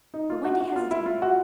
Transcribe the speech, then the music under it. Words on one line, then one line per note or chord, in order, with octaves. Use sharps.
But Wendy hesitated.
D#4
F4
F#4
F#4
F4
E4
F4
F#4